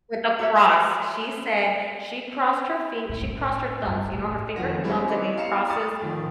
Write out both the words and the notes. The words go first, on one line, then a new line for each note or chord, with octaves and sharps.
with a cross. She said she crossed her fing she crossed her thumbs, you know, her finger, her thumbs, and made crosses
F#4 A4 C#5 E5
A2
A2
G2
A2
F1 D#3 F3 C#4 F#4 A#6
G3 G#3 C4 C#4 E4
E4 C#5 D#5 C6 D6
B3 F5 A#5 C#7 E7
G#5 C6 C#6 D#6 A6
A2 D#3 F3